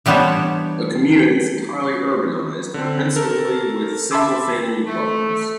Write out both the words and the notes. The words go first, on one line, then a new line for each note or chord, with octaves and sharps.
The commune is entirely urbanized, principally with single-family dwellings.
E3 G3 B3 D4 C5 C#5
D3 C4
A4 A#4
E5 A5 B5 C6 D6 E6
A3